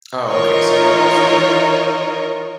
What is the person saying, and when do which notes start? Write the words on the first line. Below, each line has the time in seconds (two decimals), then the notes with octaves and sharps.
Oh, okay, so you're also
0.27 E3 D#4 F4 A#4 C#5 D#5